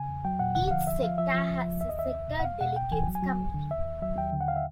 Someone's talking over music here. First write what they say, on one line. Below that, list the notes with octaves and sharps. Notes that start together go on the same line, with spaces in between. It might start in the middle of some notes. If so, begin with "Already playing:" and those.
Each sector has a sector delegates’ committee.
Already playing: C#3 G#5
E2
F#3 G5
A#2 F#5
D3 F#5
F#5
F3 F5
C#2 E5
F3 F5
F3 E5
F3
C#2
C#2
D#2 E5
D#5
D#2 E5
C2
B2
F#5
E2 F5
B2 F#5
C#2 G5
E3 G#5
F#3
G#5
F#3
D2
D3
D#2 E5
D#2
F#3 E5
D#2 G5
D3
F#5
F5
E5